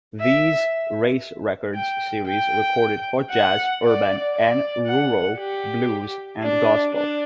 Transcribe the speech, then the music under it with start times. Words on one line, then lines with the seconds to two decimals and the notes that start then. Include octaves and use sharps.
These race records series recorded hot jazz, urban and rural blues, and gospel.
0.21 E5
1.75 G5
2.28 G5
3.31 F#5
3.83 D5
4.34 D5
4.87 F#5
5.39 G4
6.42 D4
6.94 D4